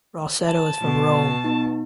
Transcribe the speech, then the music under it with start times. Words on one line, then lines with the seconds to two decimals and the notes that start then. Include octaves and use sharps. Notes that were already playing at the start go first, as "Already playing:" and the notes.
Rossetto is from Rome.
0.48 A5
0.82 B2
1.44 B3 D#4